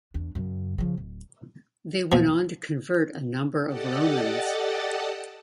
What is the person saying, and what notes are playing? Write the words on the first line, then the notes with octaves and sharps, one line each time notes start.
They went on to convert a number of Romans.
E2 D4
F#2 C#3
C#3 F3
D1
B2 F3
G4 A4 D5 D#5 F#5 A5